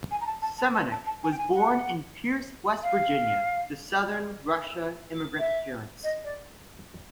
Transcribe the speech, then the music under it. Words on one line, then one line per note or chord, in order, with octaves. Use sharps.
Seminick was born in Pierce, West Virginia to southern Russia immigrant parents.
G#5
A#5
A5
A5
A5
A5
A5
A5
G#5
G5
G#5
F#5
F5
E5
D#5
D5